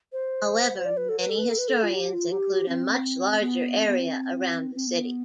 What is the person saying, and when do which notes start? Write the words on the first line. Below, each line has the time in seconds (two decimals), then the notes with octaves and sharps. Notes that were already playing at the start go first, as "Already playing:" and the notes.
However, many historians include a much larger area around the city.
0.13 C5
0.78 C5
0.85 D5
0.97 B4
1.09 A4
1.19 B4
1.29 A4
1.38 B4
1.49 A4
1.58 B4
1.68 A4
1.83 F4
1.94 G4
2.13 F4
2.32 G4
2.68 C4
3.41 B3
3.78 C4
3.88 B3
3.99 C4
4.75 C4
4.87 B3